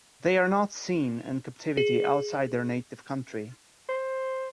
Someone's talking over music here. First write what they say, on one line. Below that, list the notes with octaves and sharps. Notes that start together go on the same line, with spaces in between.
They are not seen in captivity outside their native country.
G#4
C5